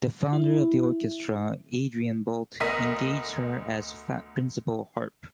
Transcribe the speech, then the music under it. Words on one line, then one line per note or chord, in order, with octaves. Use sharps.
The founder of the orchestra, Adrian Boult, engaged her as Principal Harp.
E4
D2 B3 A#4 D#5 B6 D#7